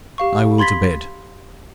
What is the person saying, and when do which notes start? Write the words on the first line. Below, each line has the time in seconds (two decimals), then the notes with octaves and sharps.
I will to bed.
0.18 G4 F5 C#6
0.58 B5 C6 G#6 A6 B6